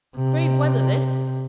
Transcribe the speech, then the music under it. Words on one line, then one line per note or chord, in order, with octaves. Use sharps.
Brave weather this!
C3